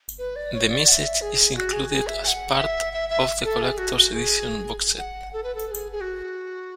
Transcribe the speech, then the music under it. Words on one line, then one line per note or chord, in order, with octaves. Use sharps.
The message is included as part of the collector's edition box set.
B4
D5
C#5
D5
F#5
E5
G#4
F#4
G#4
G#4
E5
G#5
F#5
E5
E5
E5
A4
G#4
F#4
F#4
G#4
F#5
A4
B4
A4
A4
G#4
G#4
F#4